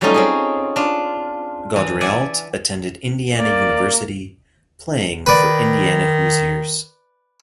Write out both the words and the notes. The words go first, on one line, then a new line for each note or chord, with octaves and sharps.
Gaudreault attended Indiana University playing for Indiana Hoosiers.
F#3 G3 A3 C#4 D#4 F4
C4 C#4 G#4
D4 F4
E3
D5 E5 F#5 G#5
A#3 D5
D#3 B4 D5